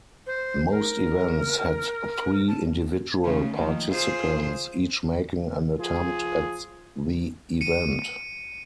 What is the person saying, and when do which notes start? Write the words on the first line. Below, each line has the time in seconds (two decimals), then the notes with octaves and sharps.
Most events had three individual participants each making an attempt at the event.
0.26 C5
0.71 A#4
2.48 A5
3.24 C#3 A3 C#4
3.55 D#3 F3 A#3
3.90 F4 G#4 C5
5.79 F3 G#4
7.61 C#7 D#7